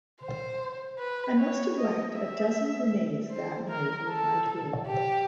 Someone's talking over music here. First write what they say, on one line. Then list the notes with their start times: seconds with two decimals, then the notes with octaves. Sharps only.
I must have whacked a dozen grenades that night with my tool.
0.22 C5
0.99 B4
1.39 C#5
1.77 D#5
2.15 E5
3.31 C5
3.70 A#4
4.09 A4
4.87 G4